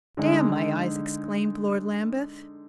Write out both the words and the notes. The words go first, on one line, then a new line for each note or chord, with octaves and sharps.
"Damn my eyes!" exclaimed Lord Lambeth.
D3 G#3 D#4